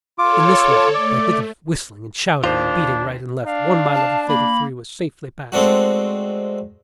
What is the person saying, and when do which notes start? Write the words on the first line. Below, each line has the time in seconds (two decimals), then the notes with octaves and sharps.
In this way, by dint of whistling and shouting, and beating right and left, one mile of the fatal three was safely passed.
0.19 F4 A4 C#5 D6
0.94 A3 D5
2.44 D#2 D4 F4 C5
3.46 D4 F5
3.95 A5
4.28 A#3 B5
5.52 G#3 A3 C4 D4 F#4